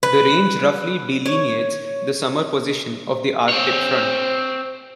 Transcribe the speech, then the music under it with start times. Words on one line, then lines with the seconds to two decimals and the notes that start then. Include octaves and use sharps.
The range roughly delineates the summer position of the Arctic front.
0.03 B4
1.26 C#5
3.49 C4 C#5